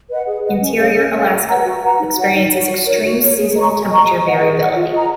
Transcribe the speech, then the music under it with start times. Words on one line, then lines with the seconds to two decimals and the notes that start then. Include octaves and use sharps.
Interior Alaska experiences extreme seasonal temperature variability.
0.09 B4 D#5 F#5
0.27 G#4
0.44 B4 D#5 F#5
0.61 C#4
0.78 G#4 C#5 F5
0.95 C#4
1.13 G#4 C#5 F5
1.30 F#4
1.48 B4 F#5 A#5
1.65 F#4
1.82 B4 F#5 A#5
2.00 D#4
2.16 F#4 C#5 F#5
2.34 D#4
2.51 F#4 C#5 F#5
2.67 F#4
2.85 A#4 C#5
3.02 F#4
3.20 A#4 C#5
3.37 G#4
3.54 D#5 A#5 C#6
3.72 G#4
3.89 D#5 A#5 C#6
4.06 G#4
4.24 D#5 F#5
4.40 G#4
4.58 D#5 F#5
4.74 F4
4.91 G#4 D#5 A#5